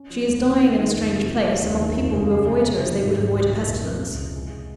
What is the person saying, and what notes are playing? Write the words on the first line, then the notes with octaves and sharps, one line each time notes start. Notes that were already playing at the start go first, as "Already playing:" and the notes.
She is dying in a strange place, among people who avoid her as they would avoid a pestilence.
Already playing: C#4
F3
D#2
C#3
D#4
D#3
F2
C3
F4
G3
D#2
D#3
F2
C#3
G#4
G#3
C3
D#3
G#1
G#2
C2
A#2
F2
C#3
C#2
C3
G#3